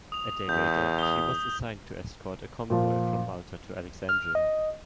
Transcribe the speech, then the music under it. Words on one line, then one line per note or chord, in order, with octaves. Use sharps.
A day later, she was assigned to escort a convoy from Malta to Alexandria.
D#6 F7
E2 G6 B6
D#6 G7
A#2 F3
F6
D#5